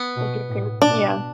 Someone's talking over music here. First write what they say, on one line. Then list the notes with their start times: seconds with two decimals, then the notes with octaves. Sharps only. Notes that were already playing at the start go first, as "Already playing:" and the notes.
Would you agree with yeah.
Already playing: B3
0.17 B2
0.49 A2
0.82 B2 D4